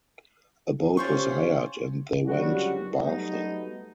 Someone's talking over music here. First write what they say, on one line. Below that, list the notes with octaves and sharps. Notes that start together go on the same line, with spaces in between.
A boat was hired, and they went bathing.
C#4 F4 G4 C5 C#6
C#2 F#2 D3 G3 F#4
F#3 G3 A3 B3 D#4